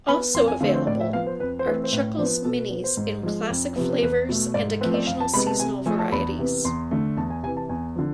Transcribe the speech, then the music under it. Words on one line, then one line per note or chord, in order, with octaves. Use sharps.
Also available are Chuckles Minis in classic flavors and occasional seasonal varieties.
B3 B5
F2 C6
G#5
D3 A3 C4 F5
C5
A2 D5
E5
F3 B3 F5
C5
F2 B4
C5
E3 A3 C4 B4
C5
A2 B4
F3 B3 C5
B2 A4
B4
B3
C5
G#2
F3 G#3
F2
C3 F3 B3
E2 B4
B2 A3
G#2 D5
F3 A3 C4 B4
D5
F2 F5
A5
C3 G#3 B3 B5
A5
C3 G#5
F3 A3 G#5
A5
E2 B5
C3 E3 B3
E2 C6
D3 A3
E2 A5
G#5
C3 E3 G#5
A5
E2 G#5
D3 F3